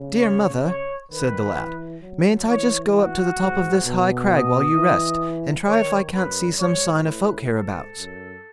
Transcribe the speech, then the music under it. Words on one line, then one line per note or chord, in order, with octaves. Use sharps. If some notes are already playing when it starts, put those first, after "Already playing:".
'Dear mother', said the lad, 'mayn't I just go up to the top of this high crag while you rest, and try if I can't see some sign of folk hereabouts?'
Already playing: C#3
C#5
C#5
D#3 B4
E3
F#3
E3 C#5
F#4
G#2
B2
D#5
E3
D#3 C#5
F#2 B4
G#2 C#5
A2 B4
G#2 A4
F#2